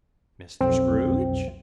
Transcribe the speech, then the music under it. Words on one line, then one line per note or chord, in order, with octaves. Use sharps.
"Mr. Scrooge?"
B1 F2 C4